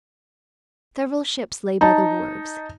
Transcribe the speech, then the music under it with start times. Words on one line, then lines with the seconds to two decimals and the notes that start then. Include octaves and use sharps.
Several ships lay by the wharves.
1.81 D#4 A5